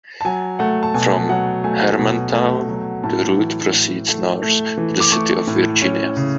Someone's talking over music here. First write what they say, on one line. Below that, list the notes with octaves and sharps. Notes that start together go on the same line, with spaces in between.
From Hermantown, the route proceeds north to the city of Virginia.
A5
F#3 G#5
A3 F#5
A5
B2 G#5
F#3 F#5
A3 G#5
B2
A3
F#3
A2 A5
E3
A2
A3
A3
E3
D6
A3 C#6
A2
C#4
C#3